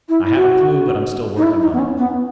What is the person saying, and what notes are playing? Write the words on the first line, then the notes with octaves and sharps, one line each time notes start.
I have a clue, but I'm still working on it.
E4
F#4
D#4
E4
D#4
B3
C#4
B3